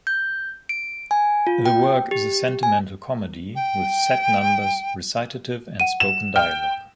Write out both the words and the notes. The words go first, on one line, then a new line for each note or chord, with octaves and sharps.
The work is a sentimental comedy with set numbers, recitative and spoken dialog.
G6
D7
G#5
F4
G5
G4
G#5
G5
F#5 D#7
E7
G5 F6